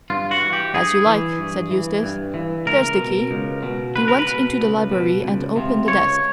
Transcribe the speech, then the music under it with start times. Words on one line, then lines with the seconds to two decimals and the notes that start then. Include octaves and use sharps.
"As you like," said Eustace; "there's the key." They went into the library and opened the desk.
0.10 G2 F4
0.31 F#4
0.42 E3
0.53 G4
0.74 G2 G#4
1.06 E3
1.39 G2
1.71 E3
2.03 G2
2.34 E3
2.66 C#2 A#4
2.99 B2
3.31 C#2
3.63 B2
3.95 C#2 B4
4.08 A#4
4.19 B4
4.27 B2
4.60 C#2
4.92 B2
5.24 C#2
5.56 C3 F3
5.88 C#2 C#5